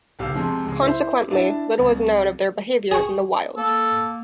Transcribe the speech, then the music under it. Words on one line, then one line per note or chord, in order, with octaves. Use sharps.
Consequently, little is known of their behaviour in the wild.
F#1 B1 G4 F5 E6
F2 C3 F3 G#3
C#2 G#3
E4 C5
D4 E4 A5
C2
G#4 G#5 C#6
A#3 A4